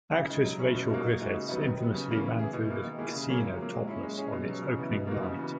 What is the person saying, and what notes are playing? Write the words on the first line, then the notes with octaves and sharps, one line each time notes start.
Actress Rachel Griffiths infamously ran through the casino topless on its opening night.
C#3
G#3 D#4
F#3
C#4 E4 G#4
B2
A#3 D#4 F#4
B2
G#3 D#4 F#4
C#3
F#3 B3 D#4
D#3
F#3 B3
C#3
E3 A#3 C#4
E3
B3 E4 G#4
B2
A#3 E4
D#3
A#3 E4 G#4
C#3
F#3 A#3 C#4 G#4
A#2
F#3 A#3
G#3
C#4 E4
G#3
C#4 G#4
B2
F#3 C#4
C#3
E3 B3 E4
B2
A#3 D#4 F#4
C#3
E3 B3